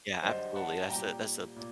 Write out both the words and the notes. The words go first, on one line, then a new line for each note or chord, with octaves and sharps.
Yeah, absolutely that's a that's a
F#2 D3 G3 C5 D#5
F#5 A5
A#2 G3 G5 A#5
A#2